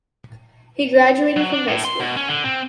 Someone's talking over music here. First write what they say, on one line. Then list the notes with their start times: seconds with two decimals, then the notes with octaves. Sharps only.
He graduated from high school.
1.36 F#3
1.53 D4
1.68 A2
1.85 C6
2.00 B2
2.17 C#4
2.29 D3
2.44 C4